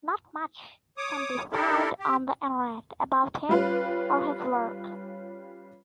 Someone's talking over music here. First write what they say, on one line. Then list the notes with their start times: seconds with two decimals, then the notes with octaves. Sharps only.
Not much can be found on the Internet about him or his work.
0.97 C#5 D6 D#6
1.53 D4 E4 G4 A4 A#4
1.99 G4
3.49 G3 C#4 F4 B4